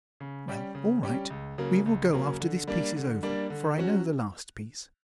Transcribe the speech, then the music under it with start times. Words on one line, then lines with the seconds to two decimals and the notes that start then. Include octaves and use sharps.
"Well, all right; we will go after this piece is over, for I know the last piece."
0.20 C#3
0.48 G3 C#4 G4
0.75 C#3
1.03 G3 C#4 G4
1.30 C#2
1.58 C#3 F#3 A#3
1.86 C#2
2.13 C#3 F#3 A#3
2.40 D3
2.67 G3 A#3 D4
2.96 D3
3.23 G3 A#3 D4
3.50 D3
3.78 F#3 C#4 F#4